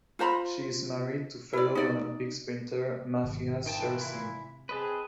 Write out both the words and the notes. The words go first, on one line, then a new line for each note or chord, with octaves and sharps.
She is married to fellow Olympic sprinter Mathias Schersing.
F4 C5 A#5 B5
E4 D5
D#4 D5
G#1 C3
A#2 D#3 E3 G5 A5
E4
C4 G#4 B4 D#5 A5